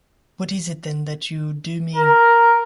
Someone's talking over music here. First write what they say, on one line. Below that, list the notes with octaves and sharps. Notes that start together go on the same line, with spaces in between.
What is it, then, that you do mean?
A#4